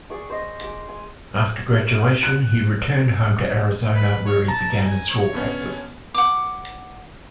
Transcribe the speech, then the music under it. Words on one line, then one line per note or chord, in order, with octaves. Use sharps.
After graduation, he returned home to Arizona, where he began his law practice.
G#4 D5 C#6
C5 D#5
G#3 D6
G#5
F#6
B4
C#5
A5 A#5
G#5
C#5
D3 B3 C#4
F#5 D6